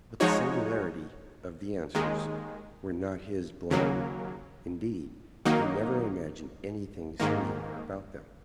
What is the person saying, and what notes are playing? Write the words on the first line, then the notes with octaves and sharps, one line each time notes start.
But the singularity of the answers were not his blame; indeed, he never imagined anything singular about them.
F3 G#3 D#4 F#4 C#5
D#2 D#3 G#3
D#2 C#3 F#3 A#3
D#3 F#3 A#3 D#4
G#2 D#3 A#3